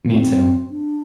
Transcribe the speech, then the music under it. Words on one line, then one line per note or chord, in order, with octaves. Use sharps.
me too.
C4
D4